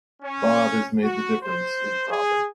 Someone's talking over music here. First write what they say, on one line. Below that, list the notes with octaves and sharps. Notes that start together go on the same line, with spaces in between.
Bob has made the difference in profit.
C#4
F#4
C5
G#4